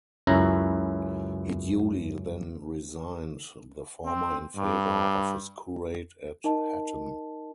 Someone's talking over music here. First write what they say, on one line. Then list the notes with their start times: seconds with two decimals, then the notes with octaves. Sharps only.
He duly then resigned the former in favour of his curate at Hatton.
0.27 C#2 F#2 C#4 E4 A#5
4.05 C4
4.57 G2
6.44 D#4 A#4 D#5 A5